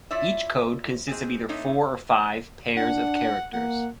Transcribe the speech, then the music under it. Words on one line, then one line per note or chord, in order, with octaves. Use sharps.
Each code consists of either four or five pairs of characters.
E4 F4 C#5 D5 E5
G#2 C4 G#4
A3 A#3 C4 D#4 E4 C#5
D4 F#5
A#3 F#5